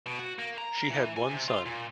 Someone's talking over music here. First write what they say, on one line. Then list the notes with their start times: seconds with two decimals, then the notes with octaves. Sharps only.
She had one son.
0.06 B2
0.19 F#4
0.39 A#3
0.58 A#5
0.78 A#4
0.90 E3
1.16 G#5
1.29 C3
1.48 F4
1.66 A#2